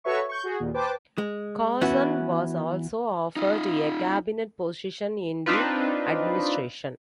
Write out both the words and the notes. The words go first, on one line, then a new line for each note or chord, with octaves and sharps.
Carson was also offered a cabinet position in the administration.
F#4 A4 B4 C#5 E5 C#6
C#6 G6
F#4 G#4
D#2 A#2
B4 C5 G5 A5 D6
G#3
E3 B3 C#4 F#4
D#4 F4
C4 D4 D#4 F4 B4